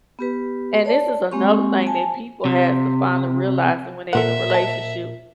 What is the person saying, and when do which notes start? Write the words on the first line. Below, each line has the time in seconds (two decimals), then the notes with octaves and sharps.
And- this is another thing that people have to finally realize that when they in a relationship-
0.19 B3 G4 B4
0.85 C#5 D5 A5
1.31 G#3 A#3 C4 G4 C#6
1.87 G#5 A5
2.45 C3
4.13 A#2 A4 A#4 C5 E5 F#5
4.50 D#5 A5